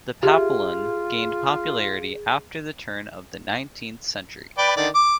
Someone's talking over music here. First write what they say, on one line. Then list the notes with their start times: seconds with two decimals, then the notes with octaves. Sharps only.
The Papillon gained popularity after the turn of the nineteenth century.
0.23 F4 G4 G#4 E5
4.58 B4 D5 G5
4.77 D3 D#3 D5
4.95 D6